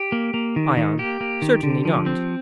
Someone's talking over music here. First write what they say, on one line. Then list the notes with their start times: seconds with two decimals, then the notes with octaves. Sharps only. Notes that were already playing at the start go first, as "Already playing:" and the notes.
ION: Certainly not.
Already playing: G4
0.12 A#3
0.34 A#3
0.56 D#3
0.77 D#3
0.99 A#3 G4
1.21 A#3
1.42 D#3
1.63 D3
1.85 F3
2.06 C4